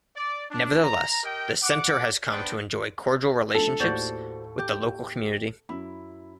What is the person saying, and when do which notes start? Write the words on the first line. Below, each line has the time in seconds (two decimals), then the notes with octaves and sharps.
Nevertheless, the centre has come to enjoy cordial relationships with the local community.
0.15 D5
0.50 D4
0.82 A#5
1.23 G4 A#4 D#5 G5
1.62 F#5 D6
2.30 B3 D4 B4 C5 D5 G5
3.54 F3 A3 D4 A4
3.80 D#2 A2 F#4 C5 D5
4.58 G4
5.69 F#2 E4 B5